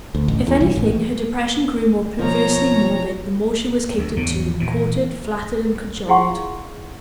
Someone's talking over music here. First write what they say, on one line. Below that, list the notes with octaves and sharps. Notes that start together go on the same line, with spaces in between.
If anything her depression grew more perversely morbid the more she was catered to, courted, flattered, and cajoled.
D2
A1
E2
C2
A1
B2 F3 C#5 A#5
D2
E2 G#2 C#3
A#2 E3
E4 G#4 F5 F#5 C6 C#6